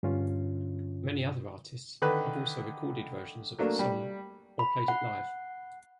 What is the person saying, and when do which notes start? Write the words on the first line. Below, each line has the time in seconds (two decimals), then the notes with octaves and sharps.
Many other artists have also recorded versions of the song or played it live.
0.03 G2 D3 C#4 F4
2.02 D3 D#3 B4 F#6
3.59 F#3 A3 A#3 D4
3.79 G3
4.59 B5
4.88 F#5